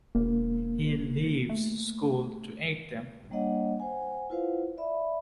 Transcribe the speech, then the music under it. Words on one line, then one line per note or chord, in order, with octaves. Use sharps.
He leaves school to aid them.
E1 A#3
A3
G3 A#3 D4 C#5 D#5 F#5
C5 F#5 G#5
E4 F4 B4 C5 F5 F#5
D5 E5 B5